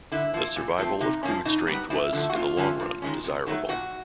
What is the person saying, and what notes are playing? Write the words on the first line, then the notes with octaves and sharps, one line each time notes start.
The survival of crude strength was, in the long run, desirable.
D3 E4
F3 A#3
A#2
F3 A3 C4
C3 D#4
F3 A#3 C#4
B2 D#4
G3 B3
F#2 E4
D3 F3 A3
F#4
F2 F4
D3 F3 A3 C#4
G2
D#3 G#3 C#4
C3
D#3 F#3 A3
A#2 F#4